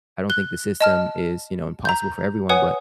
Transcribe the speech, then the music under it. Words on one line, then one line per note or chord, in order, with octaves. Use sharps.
I don't think the system is, you know, impossible for everyone but,
F#6 G7
D#5 A5 F6
A#5 G6
B4 C#5 F#5 G#5 D#6